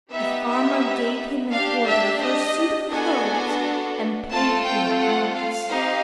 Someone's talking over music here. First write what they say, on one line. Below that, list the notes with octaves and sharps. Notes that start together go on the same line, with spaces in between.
The farmer gave him an order for a suit of clothes, and paid him at once.
B3 D#4 G4 E5
E5
D4 G4 F5
E5
D#5
B3 D4 F#4 A4 G#5
A3 C4 F4 A4 A5
G5
F#5
F5
C4 D#4 G4